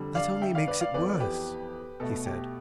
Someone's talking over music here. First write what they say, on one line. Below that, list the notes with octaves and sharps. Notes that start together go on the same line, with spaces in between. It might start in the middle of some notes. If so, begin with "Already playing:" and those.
"That only makes it worse," he said.
Already playing: F2 D3 G3
D5 F5
E5 G5
D5 F5
B4 D5
D5 F5
F2 E3 B3 B4 D5
G4 B4
B2 A3 A4
G4